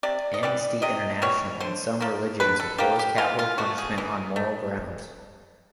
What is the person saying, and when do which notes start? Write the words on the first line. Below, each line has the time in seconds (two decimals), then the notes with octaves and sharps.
Amnesty International and some religions oppose capital punishment on moral grounds.
0.03 C3 D5
0.34 D#5
0.43 E3 G3 B3 D5
0.82 C3 D#5
1.22 E3 G3 B3 C#5
1.60 D3 C5
2.00 F3 A#3
2.40 D3 B4
2.60 A4
2.78 F3 A#3 G4
2.99 G4
3.18 E3 F4
3.39 F4
3.58 A3 F#4
3.78 G#4
3.98 E3
4.36 A3